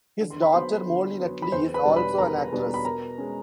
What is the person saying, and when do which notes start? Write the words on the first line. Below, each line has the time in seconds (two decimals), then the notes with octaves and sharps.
His daughter Molly Nutley is also an actress.
0.20 D3
0.30 C6
0.42 B5
0.53 F#3 B3 C5 C6
0.86 D3
1.19 F#3 B3
1.42 B5
1.52 E2 C5 C6
1.74 B4 B5
1.85 B2 G3 B3 D4
1.96 B4 B5
2.18 E2 A#4 A#5
2.52 B2 G3 B3 D4
2.74 B5
2.85 B2 A#4 A#5
3.18 G#3 C#4